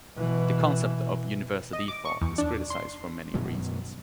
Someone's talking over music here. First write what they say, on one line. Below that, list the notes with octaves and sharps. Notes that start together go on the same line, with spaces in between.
The concept of universal default is criticized for many reasons.
B2 E3
D#5
D6
C#6
E2
D4
C6
F#2 B2 D#3 F#3